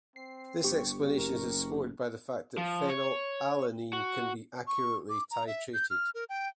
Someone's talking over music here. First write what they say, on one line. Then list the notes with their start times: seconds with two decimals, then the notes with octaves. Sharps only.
This explanation is supported by the fact that phenylalanine can be accurately titrated.
0.16 C4 C7
0.64 G1 G4 C#6
1.17 F#1 A#4
2.57 F3
2.90 C#5
3.93 F#4
4.67 C#6
5.09 D6
5.31 A#5
5.47 E5
5.74 G6
5.90 F6
6.14 A#4
6.29 G5